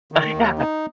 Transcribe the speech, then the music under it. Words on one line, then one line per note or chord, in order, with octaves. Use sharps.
Uh, yeah,
D#3
D#2
D#4